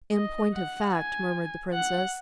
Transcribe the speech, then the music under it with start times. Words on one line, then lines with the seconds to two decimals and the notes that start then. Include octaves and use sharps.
"In point of fact," murmured the princess...
0.13 D#5
0.54 F#5
0.94 G#5
1.74 F#5